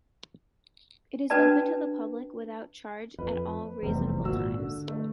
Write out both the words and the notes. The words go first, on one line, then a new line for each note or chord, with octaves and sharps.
It is open to the public without charge at all reasonable times.
C#4 D4 F#4 B4 D5 A5
F2 B4
F1 E2 C3 G3 C4
G#1 A#2 F#4 E6
D3
A3